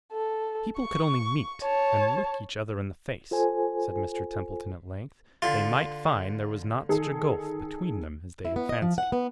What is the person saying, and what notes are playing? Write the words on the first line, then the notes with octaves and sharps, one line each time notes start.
"If people could only meet, and look each other in the face," said Mr Templeton at length, "they might find there was not such a gulf between them as they had fancied."
A4
C#6
C#5 A5
F4 A4 C5 G#5
D3 F4
D#3 G#4 A4
E4
B3
D#5
F3
F#5
B3